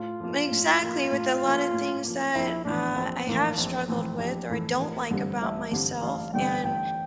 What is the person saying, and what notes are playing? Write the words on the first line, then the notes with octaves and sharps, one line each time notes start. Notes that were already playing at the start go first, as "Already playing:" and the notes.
Exactly, with a lotta things that, uh, I have struggled with or I don't like about myself and
Already playing: A2 F4
F3 A#3
A2
F3 A#3
A2
F3 A#3
A2
F3 A#3
A#1 E4
A2 E3 D4
A#1 C4
A2 E3 A#3
A#1 C4
A2 E3 C4
A#1 G4
A2 E3 A4
A1 A#4
G2 D3 G3 C4
A1 E5
G2 D3 G3 C4
A1 F5
G2 D3 G3 C4 G5
A1 G5